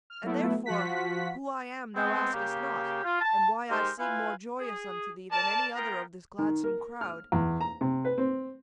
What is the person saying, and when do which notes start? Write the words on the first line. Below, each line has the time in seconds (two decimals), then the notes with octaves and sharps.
And therefore who I am thou askest not, And why I seem more joyous unto thee Than any other of this gladsome crowd.
0.10 F6
0.23 F#3 A3 B3 E4
0.66 F3 F4 F#4 F#5 B6
1.96 G#3 B3 C4
2.33 C#3 A#3 G4
3.04 F4
3.21 A5
3.70 G#3 D#4 G4 A#4 C5
3.99 E4 F4 B4 G#5
4.59 G#4
5.31 A#4 D5 A5
5.75 B3 F4 A#4 G5 A#5
6.39 D#3
6.64 A#4
7.01 F6
7.32 E2
7.61 A#5
7.81 C3
8.05 B4
8.18 C4